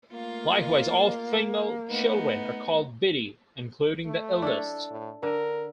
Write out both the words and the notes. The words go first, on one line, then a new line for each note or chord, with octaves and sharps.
Likewise, all female children are called "Biddy", including the eldest.
A3 A#3 F4 F5
A3 B3 D#4
A3
D4 E4 A4
A2
D3 A#4